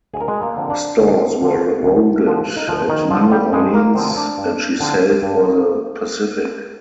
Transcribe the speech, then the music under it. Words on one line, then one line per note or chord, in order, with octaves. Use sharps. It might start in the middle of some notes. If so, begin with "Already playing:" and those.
Stores were loaded at New Orleans and she sailed for the Pacific.
D2 G#4
A#4
G#3 G#4
A#3 A#4
D3 F3 C4
D4 D5
D2
D3 F3 C4
D2
D3 F3 C4
D#4
D2 F3 F4
D#3 D#4
D3 F3 C4 F4
G3 G4
G2 G#3 G#4
A#3 A#4
D3 F3 C4 C5
D4 D5
G2
D3 F3 C4
G2 D4 D5
D#4 D#5